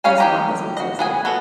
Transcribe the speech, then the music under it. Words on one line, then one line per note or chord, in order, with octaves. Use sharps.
that's what my husband says anyway-
C#4 C#5 F5 G#5
D#4 G4 A#5
F#4 D#5
B3 G#4 G#5
B3 F#4 A4